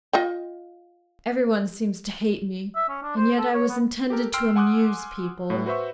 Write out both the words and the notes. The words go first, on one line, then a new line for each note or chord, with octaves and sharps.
"Everyone seems to hate me, and yet I was intended to amuse people."
F4 D#5 G5
E5
C#4
D4
C5
A4
C#5
B3
G4 A4 A#4
G5 C6 E6 F6 C7 D7
F#5 G#5 C6 D6 D#6 F#6
A2 B3
F#4 B4 C5 E5 C#6